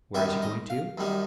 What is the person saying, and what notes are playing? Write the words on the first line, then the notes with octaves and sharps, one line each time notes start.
Where is he going to?
F#2 D#3 G3 E5
D#5
F5
F#2 D#3 G3